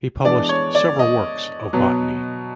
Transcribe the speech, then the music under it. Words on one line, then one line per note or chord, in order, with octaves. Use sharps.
He published several works of botany.
E3 G#3 B3 D4 D5
C#5
D5
D#5
B2 F#3 B3